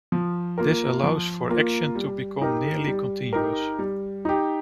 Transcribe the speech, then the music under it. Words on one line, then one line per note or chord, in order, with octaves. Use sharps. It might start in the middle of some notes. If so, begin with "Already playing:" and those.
This allows for action to become nearly continuous.
F3
A#3 F4 A#4
F3
A#3 F4 A#4
G3
D#4 G4 A#4
G3
D#4 G4 A#4
G3
D#4 G4